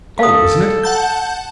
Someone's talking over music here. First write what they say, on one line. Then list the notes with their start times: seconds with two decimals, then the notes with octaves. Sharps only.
"Cold, isn't it?"
0.19 A4 F5 D#6
0.83 F#5 A5 G6